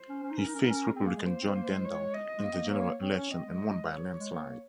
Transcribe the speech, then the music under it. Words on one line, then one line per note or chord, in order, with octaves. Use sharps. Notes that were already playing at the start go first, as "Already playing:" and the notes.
He faced Republican John Dendahl in the general election and won by a landslide.
Already playing: C5
C#4
C#4
D#4
C#4 A#4
D#4
C#4
D#4
C#4
C4 G#4
A#3
G#3
A#3 C5
C4
A#3
G#3
C#5
D#5
G#3
A#3
C4
A#3
A#3 C#5
C4 C#5
C#4
C4 D#5
G#3
C#5
G#3
A#3
A#3